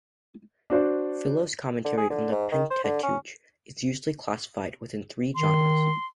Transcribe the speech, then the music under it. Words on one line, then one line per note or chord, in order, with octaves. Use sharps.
Philo's commentary on the Pentateuch is usually classified within three genres.
D4 F#4 C5 D5
D3
G#4
D3
G#2
D#3
C5
D3
C#4
D#3 C6